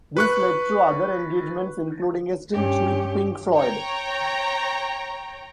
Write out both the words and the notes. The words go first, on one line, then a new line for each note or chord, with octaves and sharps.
This led to other engagements including a stint with Pink Floyd.
B4 C#6 F#6
G2 C#4 G4
C#5 G5 A#5